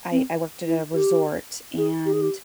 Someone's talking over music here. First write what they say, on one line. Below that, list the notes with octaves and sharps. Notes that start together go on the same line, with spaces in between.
I I worked at a resort, and
C4
E4
G4
G#4
G4
G#4
G4